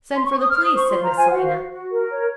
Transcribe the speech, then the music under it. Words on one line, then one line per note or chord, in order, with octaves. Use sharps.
'Send for the police,' said Miss Selina.
C6
C#6
D#6
C5 F6
D#6
C5
C#6
F4 C6
A#5
C5
G#5
F#4 F#5
F5
F#4
F#4
A#4
C#5